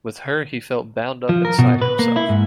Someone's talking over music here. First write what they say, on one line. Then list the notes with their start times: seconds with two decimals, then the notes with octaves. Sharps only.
With her he felt bound up inside himself.
1.29 F3
1.45 A#4
1.59 B2
1.82 B4
1.99 A#3
2.16 E4
2.29 G#2